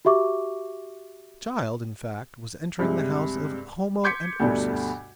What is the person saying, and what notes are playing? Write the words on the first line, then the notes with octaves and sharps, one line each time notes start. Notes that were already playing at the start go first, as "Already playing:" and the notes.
The child, in fact, was entering the house of Homo and Ursus.
F#4 G4 E5 C#6 D6
G2 C3 G#3
C6 D6 G6 G#6 B6 C#7
D2 G2 B2 A3 D4